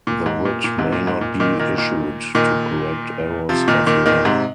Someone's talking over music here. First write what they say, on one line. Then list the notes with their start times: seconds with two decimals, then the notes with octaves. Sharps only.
The writ may not be issued to correct errors of law.
0.07 A#2
0.26 G#2
0.45 A#2
0.64 A#2
0.78 G#2 C3
0.92 A#2
1.07 G#2
1.21 A#2
1.40 A#2 D#3
1.59 A#2 D#3
1.78 A#2 D#3
2.35 A#2 D#3
3.49 C3 F3
3.68 A#2 D#3
3.86 A#2 D#3
4.06 A#2 D#3
4.25 G#2 C3